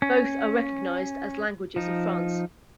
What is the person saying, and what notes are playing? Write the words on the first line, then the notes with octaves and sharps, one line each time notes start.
Both are recognized as languages of France.
C#4
F3 D#4